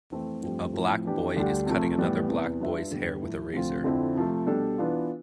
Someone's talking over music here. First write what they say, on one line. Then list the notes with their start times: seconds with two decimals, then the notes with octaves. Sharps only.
A black boy is cutting another black boy 's hair with a razor.
0.11 F2 E3 A3 C4
0.42 G2 F3 A3 C4 G4
0.73 A2 F3 C4 E4
1.05 E3 B3 D4 G4
1.36 D2 D3 G3 D4 G4
1.66 C3 F3 A3
1.98 A2 E3 G3 B3
2.28 E2 C3 E3 B3
2.60 G3 D4 F4 B4 E5
2.91 G2 D3 G3 B3
3.22 A2 F3 A3 E4
3.53 D2 C3 F3 C4 F4
3.84 F2 D3 F3 C4 E4
4.15 C3 F3 A3
4.46 B2 G3 D4 A4
4.78 E3 B3 D4 F4